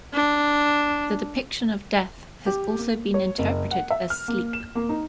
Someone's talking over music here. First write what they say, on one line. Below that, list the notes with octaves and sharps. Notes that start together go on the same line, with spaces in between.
The depiction of death has also been interpreted as sleep.
D4
G4
A#3
C#5
F#1
F#5
E5
F6
A#3
E7
A#3
D#4